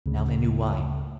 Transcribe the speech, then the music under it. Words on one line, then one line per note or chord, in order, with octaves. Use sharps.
Now they knew why.
D2 C#3